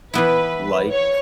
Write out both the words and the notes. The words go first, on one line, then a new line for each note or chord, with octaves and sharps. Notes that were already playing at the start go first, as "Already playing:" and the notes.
like f
E3 B3 E4 B4
C#5